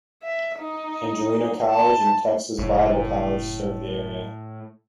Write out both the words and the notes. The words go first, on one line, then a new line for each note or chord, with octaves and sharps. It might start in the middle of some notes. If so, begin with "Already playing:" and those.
Angelina College and Texas Bible College serve the area.
E5
D#4
A5
F#1 A2